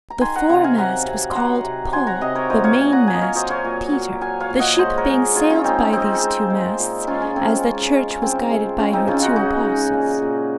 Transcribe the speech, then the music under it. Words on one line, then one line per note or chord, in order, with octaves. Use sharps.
The foremast was called Paul, the mainmast Peter--the ship being sailed by these two masts, as the Church was guided by her two apostles.
A#5
D#3 G#5 C6
F#5 A#5
C3 F#5 A#5
F5 G#5
F#3 F#5 A#5
C3
F#3 F#5 A#5 C6
C3
F#3 G#5 C6
F#5 A#5
C3 D#5 F#5
A#4 C#5
A#2 C5 D#5
C#5 F5
A#2 G#5
F#5 A#5
A#2 F5 G#5
D#5
C#5 F5
F#3 C5 D#5
C#5 F5
A#2
F#3
F#3 F5 G#5
C#5 F5
A#2
D#5 F#5
G#3 C5 D#5
A#4 C#5
G#3
A#2 F4 G#4
C#4 F4
G#3 C4 D#4
C#4
G#3 C4 D#4
G#3
G#3
A#2
G#3 C#4 F4
C#4
G#3 C4
C#4
G#3
G#3
C#3 C4
G#3
C#3 C#4
C4 D#4
C#3 C#4 F4
D#4 F#4
G#3 D#4 F#4
G#3
A#2
A#2